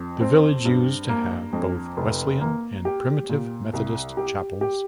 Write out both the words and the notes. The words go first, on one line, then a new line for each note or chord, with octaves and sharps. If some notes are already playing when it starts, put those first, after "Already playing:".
The village used to have both Wesleyan and Primitive Methodist Chapels.
Already playing: F2
C4
G2
A#3
F2
F1
A#3
G4
A#2
C2
G4
G4